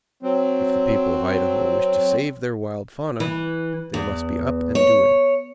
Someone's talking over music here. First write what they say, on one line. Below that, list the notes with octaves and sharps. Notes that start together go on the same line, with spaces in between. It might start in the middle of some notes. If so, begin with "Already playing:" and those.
If the people of Idaho wish to save their wild fauna, they must be up and doing.
F#3 C4
E3
E2
C#5